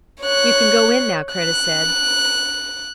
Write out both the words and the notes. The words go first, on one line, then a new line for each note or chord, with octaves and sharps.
"You can go in now," Kreta said.
C#5 F#6
F#6